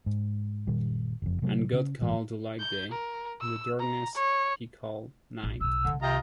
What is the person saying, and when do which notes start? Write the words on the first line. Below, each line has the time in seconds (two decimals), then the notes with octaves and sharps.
And God called the light Day, and the darkness he called Night.
0.06 G#2
0.67 F#1 A#2 D#3 G3
1.22 F#1 F2
1.42 C3 F#3 A3
1.73 C#3 C#4
2.01 F#1 A2 E3 G#3
2.59 G6
2.92 A#4
3.41 E6
3.79 A#5
4.15 C#5
5.43 A1
5.61 B1 C#3 E6
5.85 C2 D3 D#3
6.02 C3 F4 D#5 G5 A#5